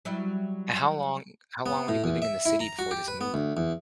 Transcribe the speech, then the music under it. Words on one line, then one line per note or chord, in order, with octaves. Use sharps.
H How long how long were you living in the city before this move?
F#3 G3 E4
B3
A2
E2
E5
E4
A#5
F#4
G4
B4
B3
D2
E2